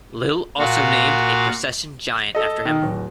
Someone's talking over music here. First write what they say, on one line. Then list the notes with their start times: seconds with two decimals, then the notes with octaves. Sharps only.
Lille also named a procession giant after him.
0.59 A#2 F#4 F5
2.35 A4 D#5
2.65 D#3 D#4
2.82 D1